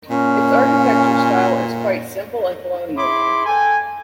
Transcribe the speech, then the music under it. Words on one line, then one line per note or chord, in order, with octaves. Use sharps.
Its architecture style is quite simple and colonial.
A#2 C#4
E4 G#4 B5 C6 D6
A4 G5 G#5